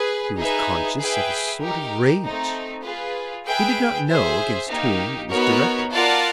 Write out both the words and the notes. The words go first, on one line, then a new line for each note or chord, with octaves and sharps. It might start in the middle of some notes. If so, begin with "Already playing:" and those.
He was conscious of a sort of rage; he did not know against whom it was directed.
Already playing: G#4 B4
D#4 G#4 B4 E5
G#4 B4 E5 G5
D#4 G4 A#4
A3 C4 D#4
F4 G#4 B4
G#4 B4 E5 G5
G#4 C5 E5
A#3 D#4 G4
B3 D#4 F#4 A#4 C#5
F4 A#4 D5 F#5 A5